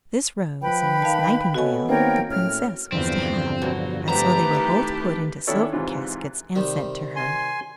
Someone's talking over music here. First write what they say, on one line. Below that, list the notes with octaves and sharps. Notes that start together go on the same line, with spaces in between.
This rose and this nightingale the Princess was to have, and so they were both put into silver caskets and sent to her.
F3 B4 G5 B5
D#3 F5 A5
B3 F#4 A4 C#5 D#5 G#5
D#3 A#3 C4 A#4 C#5 G5
A2 C#4 F6
E2 G2 D3 F3 C4
B2 F#3
A3 B3 C4 G4 A#4 B4 A#5
C3 D#3 E3
D#3 C#4 D4 E4 A4 C#5
G#2 C3 E3 C4 F4
C3 D#3 G3
G#5 C6